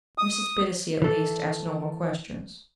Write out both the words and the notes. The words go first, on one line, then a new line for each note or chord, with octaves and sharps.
Mrs. Bittacy, at least, asked no more questions.
D#6
E3 A4